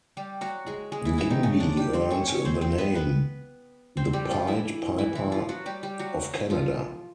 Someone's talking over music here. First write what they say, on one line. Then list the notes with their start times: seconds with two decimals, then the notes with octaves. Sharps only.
Gimby earned the name the "Pied Piper of Canada".
0.17 G3 G4
0.41 F#3 F#4
0.66 G#3 G#4
0.92 G#3 G#4
1.05 E3 E4
1.18 E3 E4
1.30 D#3 D#4
1.43 C#3 C#4
1.60 D3 D4
1.77 G3 G4
1.93 C4 C5
2.10 C#4 C#5
2.27 C#4 C#5
2.45 C4 C5
2.61 C4 C5
2.78 B3 B4
2.95 B3 B4
3.97 C4 C5
4.13 G3 G4
4.31 F3 F4
4.47 E3 E4
4.98 E3 E4
5.15 E3 E4
5.32 F3 F4
5.49 F#3 F#4
5.66 G3 G4
5.83 G3 G4
5.99 F#3 F#4
6.50 F3 F4